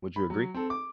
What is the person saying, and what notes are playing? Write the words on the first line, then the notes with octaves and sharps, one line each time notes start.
Would you agree?
B5
F#3
C4 A4
D6